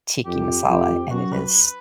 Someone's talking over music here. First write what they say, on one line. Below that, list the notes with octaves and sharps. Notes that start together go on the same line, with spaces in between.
tiki masala and it is
F2 G4
F2
F#2 F#4
B4